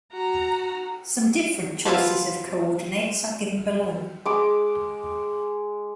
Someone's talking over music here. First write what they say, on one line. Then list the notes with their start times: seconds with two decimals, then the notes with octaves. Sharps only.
Some different choices of coordinates are given below.
0.13 F#4 A#5
1.85 F3 B3 E4 F4
4.25 G#3 D6